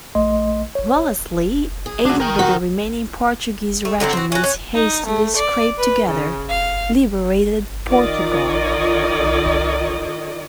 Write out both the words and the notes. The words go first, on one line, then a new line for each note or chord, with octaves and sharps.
Wellesley, aided by the remaining Portuguese regiments hastily scraped together, liberated Portugal.
A#1 A3 D#5 C6
C#5
G#4
D4 F#4
A#4 G5
F#4
A3
D3 F#3 A#3 C4
C4 F#4
C#4 F#4
C#4
D#4
A3
D5
B4
C#3
F5
D#3 F4 D5 D#5